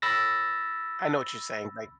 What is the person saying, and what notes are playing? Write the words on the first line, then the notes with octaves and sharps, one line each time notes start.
I know what you're saying, like
B5 E6 A6 A#6